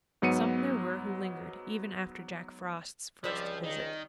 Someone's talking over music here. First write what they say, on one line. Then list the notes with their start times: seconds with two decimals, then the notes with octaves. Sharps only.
But some there were who lingered even after Jack Frost's first visit.
0.22 G#2 F#3 B3 C#7 D#7
3.24 C#2 F3 G3 C4 D5 E5
3.64 D#3 D#5